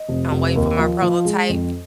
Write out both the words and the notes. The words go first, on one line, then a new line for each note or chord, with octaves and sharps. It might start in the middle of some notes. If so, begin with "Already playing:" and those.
I'm waiting for my prototype.
Already playing: D#5
F1
F1
D#2
F3
F3
G#3
F2